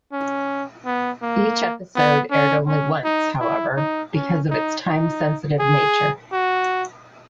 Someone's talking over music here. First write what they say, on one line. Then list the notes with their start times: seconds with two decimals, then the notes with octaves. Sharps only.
Each episode aired only once, however, because of its time-sensitive nature.
0.13 C#4
0.86 B3
1.22 A#3
1.96 B3
2.31 C#4
2.67 C#4
3.04 D#4
3.41 E4
3.77 D#4
4.14 C#4
4.50 D#4
4.87 D#4
5.60 G#4
6.32 F#4